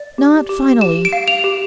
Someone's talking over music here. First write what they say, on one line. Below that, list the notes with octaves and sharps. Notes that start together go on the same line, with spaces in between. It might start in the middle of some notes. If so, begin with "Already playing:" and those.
'Not finally.
Already playing: D5
G4
G4
G4 E7
D7
F5
F7
G4